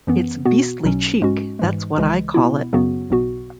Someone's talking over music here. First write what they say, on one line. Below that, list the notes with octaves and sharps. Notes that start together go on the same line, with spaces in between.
It's beastly cheek, that's what I call it.
F#2 E3 B3
B2 B3 F#4
B1 B2 F#3 C#4
G#2 G#3 C#4 F#4
G#2 E3 G#3
C#2 C#3 E3 G#3
B2 B3 E4
F#2 C#3 F#3 B3 F#4
B1 B2 B3 F#4